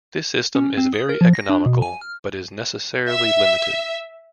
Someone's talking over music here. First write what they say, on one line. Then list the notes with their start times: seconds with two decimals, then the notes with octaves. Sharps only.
This system is very economical, but is necessarily limited.
0.55 C#4
0.78 C4
0.93 D#6
1.09 A#4
1.21 F3
1.34 A#6
1.49 D4
1.66 B2
1.82 G#5
2.01 F6
3.09 E5